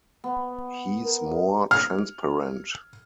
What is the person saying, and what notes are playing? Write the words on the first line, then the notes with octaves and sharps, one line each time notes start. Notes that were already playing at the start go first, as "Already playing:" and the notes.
He's more transparent!
B3
A#4
F6